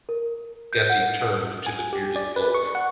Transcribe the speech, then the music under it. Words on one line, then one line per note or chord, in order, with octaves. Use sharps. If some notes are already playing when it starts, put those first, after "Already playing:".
Gussie turned to the bearded bloke.
A#4
G6
F#5
G#5
G4
D5
B4
C#6
F#5